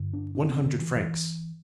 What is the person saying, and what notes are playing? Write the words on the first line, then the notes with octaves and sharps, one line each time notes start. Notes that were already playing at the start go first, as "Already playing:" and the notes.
"One hundred francs!"
Already playing: G2 D3
D4
D4
C4
D3
E3
E3